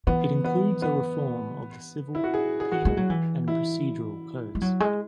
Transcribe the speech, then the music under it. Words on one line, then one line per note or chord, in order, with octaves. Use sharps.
It includes a reform of the civil, penal, and procedural codes.
E3 B3
B3
B3
E4
F#4
G#4
G#4
F#4
G#3
F#3
E3
E4
G#3
F#3
G#3